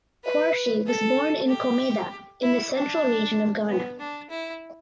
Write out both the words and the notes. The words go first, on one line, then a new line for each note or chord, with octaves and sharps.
Quarshie was born in Komeda in the Central Region of Ghana.
B4
A4
G4
E4
D4
B3
D4
E4